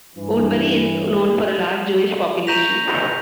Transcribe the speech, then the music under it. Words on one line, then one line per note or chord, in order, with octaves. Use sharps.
Woodbury is known for a large Jewish population.
G2 E3
A#5 C#6 G6 A#6 B6 F7